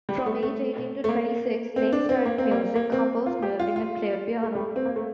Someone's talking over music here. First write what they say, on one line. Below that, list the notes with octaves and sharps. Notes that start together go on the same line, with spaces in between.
From age eighteen to twenty-six, Lane studied music, composed music, and played piano.
G3
A3
A3
A3
A#3
C4
D4
C4
A#3
C4
A#3
A#3
C4
F4
G4
F4
F4
A3
G3
A3
C4
A#3
A3